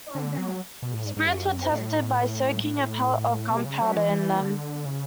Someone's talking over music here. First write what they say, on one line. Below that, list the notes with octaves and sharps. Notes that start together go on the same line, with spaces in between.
Spirits were tested by soaking a pellet of gunpowder in them.
D3
F#3
B2
A2
G#2
G#2
F#2
A2
B2
C#3
F#3
E3
D3
C#3